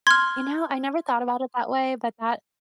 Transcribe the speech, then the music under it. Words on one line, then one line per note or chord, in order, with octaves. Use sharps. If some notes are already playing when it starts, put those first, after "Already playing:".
You know, I never thought about it that way, but that
C6 F6 G#6